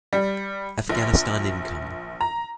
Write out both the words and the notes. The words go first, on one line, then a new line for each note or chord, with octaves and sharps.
Afghanistan income.
G3
A#1
A#5